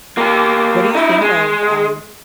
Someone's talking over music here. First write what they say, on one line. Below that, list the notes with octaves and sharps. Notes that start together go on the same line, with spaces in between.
What do you think of, um
A#3 G4
D#4 E4
G#3